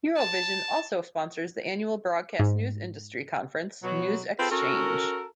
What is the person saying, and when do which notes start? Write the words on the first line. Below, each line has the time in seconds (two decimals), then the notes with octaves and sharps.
Eurovision also sponsors the annual broadcast news industry conference, News Xchange.
0.16 A5
2.40 G#2
3.83 B2 F#3
4.40 C4 F4 G#4 A4 B4
4.51 C#4 F#4 A4 A#4